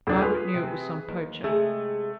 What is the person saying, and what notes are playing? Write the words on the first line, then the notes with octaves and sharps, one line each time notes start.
Margaret knew it was some poacher.
D#1 C3 F3 D4
F4 G#4 B4
C3 C4
D#2
C3 G#3 A3 G#4